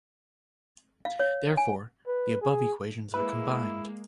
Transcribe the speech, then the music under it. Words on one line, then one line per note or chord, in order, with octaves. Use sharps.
Therefore, the above equations are combined.
F5
C#5
G#5
B4
G#4
G#3 A#3 E4 B4